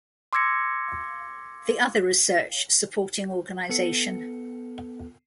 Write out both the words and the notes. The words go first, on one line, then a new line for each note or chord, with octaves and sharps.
The other research supporting organization.
C6 D6 E6 G#6 A#6 C#7
B3 A4 C#7